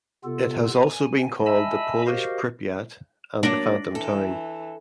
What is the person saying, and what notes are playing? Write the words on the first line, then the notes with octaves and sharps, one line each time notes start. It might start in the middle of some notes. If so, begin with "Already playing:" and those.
It has also been called the "Polish Pripyat" and the "Phantom Town".
C3 B3 F4 A4
G#5
D#5 E5 G#5 A5 B5 E6
F#4 G4 A#4 C5 D#5 F5
F#3 A#3 D4 A#6 D7 F#7
E3 A4